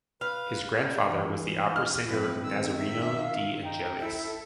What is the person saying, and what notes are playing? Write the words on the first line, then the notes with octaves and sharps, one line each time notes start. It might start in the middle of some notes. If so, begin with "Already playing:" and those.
His grandfather was the opera singer Nazzareno De Angelis.
B4 F5
E3
F6
G2 F3 A3 C4 B4
D#3 E6
E5
F5
D#4 G5
E4 A4 E5